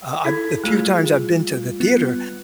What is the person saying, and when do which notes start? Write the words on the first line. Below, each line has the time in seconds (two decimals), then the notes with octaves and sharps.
uh, I the few times I've been to the theater,
0.25 E4 G#4 A4 G#6
0.64 G3 A3 F4 G#4
1.80 B3